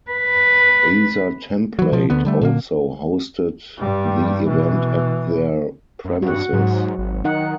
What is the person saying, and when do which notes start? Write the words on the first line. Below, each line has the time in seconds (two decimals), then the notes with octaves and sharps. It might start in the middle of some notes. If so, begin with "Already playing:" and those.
Azatemplate also hosted the event at their premises.
0.11 B4
1.79 E3 F#3
1.92 B2 F3
2.10 D2 D3 B3
2.25 D3 G3 A3
2.41 A#2 D3 A#3
3.79 G2 G3
4.47 B2 E3
6.05 F#2
6.22 G2 F#4 F#5
6.53 G#2 F#3
6.98 G#1
7.24 D#3 D#4 F#5